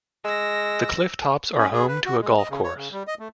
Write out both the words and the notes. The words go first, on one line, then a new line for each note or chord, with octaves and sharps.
The cliff tops are home to a golf course.
G#3 E6 A#6
C#4
G#4
B4
F#4
G#3
D#5
C#3
C#5
C#3
G3
D#5
A3